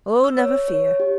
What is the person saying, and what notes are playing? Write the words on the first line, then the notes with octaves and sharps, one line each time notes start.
'Oh! never fear!
E6
C#5
C#5
G4